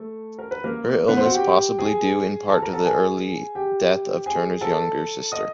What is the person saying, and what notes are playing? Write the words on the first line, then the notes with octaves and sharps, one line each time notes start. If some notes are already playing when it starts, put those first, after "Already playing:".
Her illness possibly due in part to the early death of Turner's younger sister.
Already playing: A3 A4
A#4
B4
A#3 A#4
B3 B4
C4 C5
F#4 F#5
G4 G5
G#4 G#5
A4 A5
A#4 A#5
A4 A5
G#4 G#5
G4 G5
G#4 G#5
A4 A5
D#5 D#6